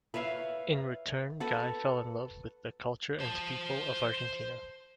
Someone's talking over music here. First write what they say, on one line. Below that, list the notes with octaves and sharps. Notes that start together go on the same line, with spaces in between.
In return, Guy fell in love with the culture and people of Argentina.
B4 C#5 E5 F5
F#4 A4 B4 F#5
C5 A5